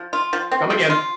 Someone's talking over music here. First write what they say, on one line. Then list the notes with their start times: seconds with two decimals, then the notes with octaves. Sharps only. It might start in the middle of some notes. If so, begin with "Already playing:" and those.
come again."
Already playing: F3
0.13 F4
0.33 F3
0.52 C4
0.70 F3
0.90 F4